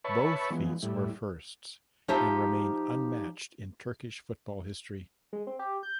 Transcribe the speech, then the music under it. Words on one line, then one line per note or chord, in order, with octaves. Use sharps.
Both feats were firsts, and remain unmatched in Turkish football history.
B4 C#5 E5 A5 B5 C#6
E3 F3 G#3 B3
A2 G3 E4
F3 D#4 G4 C5 E5 A5
G#3
C4
G4
G6